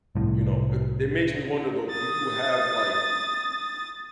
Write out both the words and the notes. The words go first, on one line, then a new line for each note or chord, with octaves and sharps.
you know, it it makes me wonder though, do you have, like,
C2 A2
D#6 A6